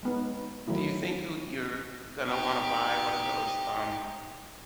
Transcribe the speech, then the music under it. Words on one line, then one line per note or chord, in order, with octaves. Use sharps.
do you think o you're gonna wanna buy one of those, um,
G#3 B3 D#4
D#3 F#3 A3 E4
D#4 G4